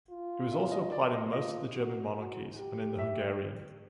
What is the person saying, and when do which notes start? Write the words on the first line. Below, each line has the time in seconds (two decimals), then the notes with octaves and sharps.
It was also applied in most of the German monarchies and in the Hungarian.
0.10 F4
0.52 E5
0.72 D#5
0.82 D#5
0.92 D5
1.13 D#5
1.33 F4 D#5
1.75 F#4
2.16 F#4
2.57 G4
2.99 E5